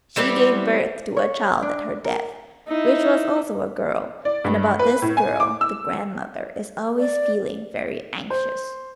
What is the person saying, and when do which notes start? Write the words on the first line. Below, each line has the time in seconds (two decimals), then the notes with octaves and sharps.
"She gave birth to a child at her death, which was also a girl, and about this girl the grandmother is always feeling very anxious."
0.16 E3 G3 B3 C4
1.17 C#5
1.62 D4
2.05 A#4
2.68 D#4 E4
4.25 D5
4.44 G2
4.79 B4
5.02 A2
5.17 G#5
5.40 D6
5.61 E6
6.99 D5
8.30 C5